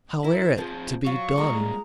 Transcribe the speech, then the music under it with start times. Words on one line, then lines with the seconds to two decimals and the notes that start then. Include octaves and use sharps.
How air it to be done?
0.24 E4 A#4
0.58 F3 C4 G#4
1.06 F#3 F4 C#6
1.38 G3 G#3 A#3 D5 A#5